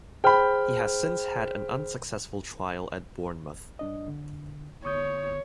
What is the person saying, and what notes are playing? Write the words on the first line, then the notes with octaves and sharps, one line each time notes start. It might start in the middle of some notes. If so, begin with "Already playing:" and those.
He has since had an unsuccessful trial at Bournemouth.
G#4 C5 G5 B5 F6
G2 D4 D#5
D3
G1 C#5 C#6 D#6 G6